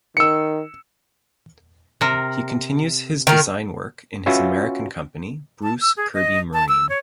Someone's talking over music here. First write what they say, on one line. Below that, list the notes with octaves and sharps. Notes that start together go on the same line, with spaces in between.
He continues his design work in his American company, Bruce Kirby Marine.
D#3 E6 C#7
C3 A#4
D#3 A#4
C#4 F4 F#4 B4 E5
A5
E6
G#4
D#5
A5
E6
C#5